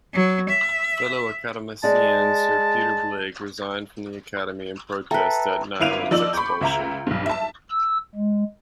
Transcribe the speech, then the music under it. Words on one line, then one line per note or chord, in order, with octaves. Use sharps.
Fellow Academician Sir Peter Blake resigned from the Academy in protest at Neiland's expulsion.
F#3
E5
G#3 D5 A5
A4 B4 E5 G5 A#5
G1 E4 F5 D7 D#7 F7
F3 D#4 D5 E6 F#7
B5 C#6 D6 G6
C#2 E5 A#5
B1 G2
E5 A5
E6
G#3